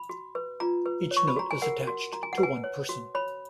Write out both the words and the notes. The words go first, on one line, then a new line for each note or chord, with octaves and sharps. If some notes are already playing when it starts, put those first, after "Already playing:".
Each note is attached to one person.
Already playing: B5
F#4
B4
F4 A#5
B4
C#5
C#6
B5
F#4 A#5
G#5
A#4 F#5
F#4
F#4 A#5
G#5
F#5
B4
G#5
C#5
F#4
C#5 B5